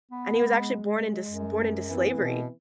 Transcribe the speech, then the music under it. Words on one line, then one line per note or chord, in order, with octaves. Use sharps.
And he was actually born into s born into slavery,
B3
G#3
F#2
E3 B3 C4
B2